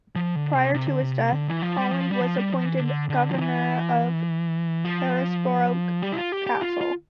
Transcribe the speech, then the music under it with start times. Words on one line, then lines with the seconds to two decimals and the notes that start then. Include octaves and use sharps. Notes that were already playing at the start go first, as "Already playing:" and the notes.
Prior to his death, Holland was appointed Governor of Carisbrooke Castle.
0.16 F3
0.36 D3
0.55 C3
0.74 C3
0.88 D3
1.02 C3
1.33 D3
1.48 E3
1.62 F3
1.77 G3
1.91 F3
2.11 G3
2.20 F3
2.37 G3
2.52 F3
2.65 E3
2.80 D3
3.09 D3
3.30 F3
3.38 E3
4.84 F3
6.02 G3
6.12 E4
6.17 F4
6.32 G4
6.47 G4
6.61 F4
6.81 F4